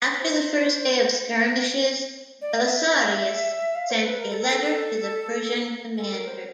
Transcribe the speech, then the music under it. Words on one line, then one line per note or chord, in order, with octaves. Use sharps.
After the first day of skirmishes, Belisarius sent a letter to the Persian commander.
C5
D5
D#5
E5
E5
F5
C5
B4
A#4
A4
A#4
A4
A4
A4
A#4
C5